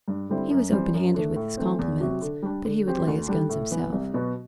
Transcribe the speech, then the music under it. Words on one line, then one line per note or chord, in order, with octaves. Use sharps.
He was open-handed with his compliments, but he would lay his guns himself.
G2
D3 G3 C4 E4
F#2
E3 G3 C4
F#2
D3 A3
A2
E3 A3 C4
E2
C3 F#3
D3
G3 D4
D3
F#3 C4 G4
D2
D3 G3 D4
A2
E3 B3
C2
B2 F#3 B3 F#4